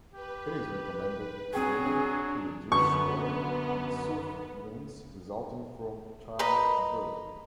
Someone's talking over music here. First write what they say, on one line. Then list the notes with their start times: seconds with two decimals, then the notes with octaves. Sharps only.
It is recommended to women to reduce swelling and soothe wounds resulting from childbirth.
0.13 G4 B4
1.53 F#3 C4 D4 G#4 G5 G#5
2.72 F#2 D3 B3 C#6
6.39 B4 D#5 A#5 B5